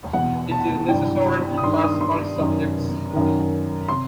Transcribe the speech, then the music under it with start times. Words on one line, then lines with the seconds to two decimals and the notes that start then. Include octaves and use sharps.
It is necessary to pass all subjects.
0.13 E2 B2 F#5
0.51 A5
0.88 G2 E3 G5
1.26 B5
1.57 D#6
1.63 G2 D#3 C6
1.82 D#6
2.01 C6
2.39 F#2 D#3
3.13 F#2 D#3
3.89 C3 C6